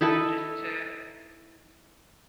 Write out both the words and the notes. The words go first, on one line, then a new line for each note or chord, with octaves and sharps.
just to
D#4 E4 A4 B4